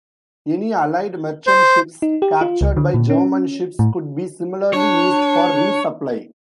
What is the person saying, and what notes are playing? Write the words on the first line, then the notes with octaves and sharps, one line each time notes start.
Any Allied merchant ships captured by German ships could be similarly used for resupply.
C5
D#4
G4
F4
C#2
D3
A#2
C#4
A2
D4 C#5